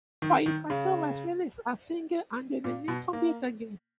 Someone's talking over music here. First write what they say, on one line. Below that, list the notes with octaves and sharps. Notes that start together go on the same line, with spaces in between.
"Firecracker" was released as a single under the name "Computer Game".
D#3
D#3
C#3
A#2
B2
A#3